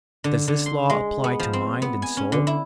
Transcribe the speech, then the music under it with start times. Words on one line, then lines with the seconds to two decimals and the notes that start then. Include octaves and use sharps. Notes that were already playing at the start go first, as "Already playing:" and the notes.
Does this law apply to mind and soul?
0.24 D3
0.48 D3
0.66 C6
0.90 G#3
1.24 B3
1.40 F3
1.53 C4
1.82 B3
2.02 G#5
2.17 C#4
2.32 D3
2.47 E4